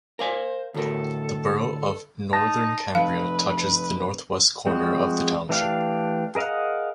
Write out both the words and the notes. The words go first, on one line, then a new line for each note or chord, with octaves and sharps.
The borough of Northern Cambria touches the northwest corner of the township.
A#4 C5 F5 G#5
D2 A2 A4 A#4
D#4 A5 A#6
F1 B4 F5
F3 G#3 C4 F#4
E3 A3 D4 G4 F5
G#4 A#4 D#5 F5 F#5